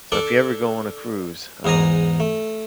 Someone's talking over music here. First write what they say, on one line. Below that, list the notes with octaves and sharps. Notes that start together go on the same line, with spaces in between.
So, if you ever go on a cruise, um,
D4 A4 D5
E2 G#2 G#4 G#5 A#5
A3